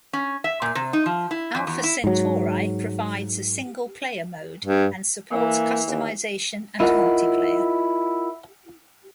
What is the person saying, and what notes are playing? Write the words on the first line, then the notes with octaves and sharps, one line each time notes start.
"Alpha Centauri" provides a single player mode and supports customization and multiplayer.
C#4
E5
A#2
C3
D#4
F3
E4
F2
E2
E4
G#2 F#3
G2
E3 A#3
D#2
E4 F4 A#4 D#5 F5 F#5